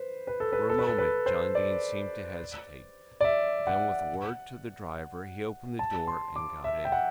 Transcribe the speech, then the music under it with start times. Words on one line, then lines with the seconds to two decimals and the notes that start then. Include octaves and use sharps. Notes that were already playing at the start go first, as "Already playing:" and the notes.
For a moment John Dene seemed to hesitate, then with a word to the driver he opened the door and got in.
Already playing: B4 C5
0.27 B4
0.40 A4
0.53 B4
0.70 A4
0.78 B4
0.87 A4
0.98 B4
1.26 C5
1.55 D5
3.21 D5
3.24 E5
3.67 F#5
5.79 A5
6.07 C6
6.36 D6
6.64 E5
6.85 G5
6.92 F#5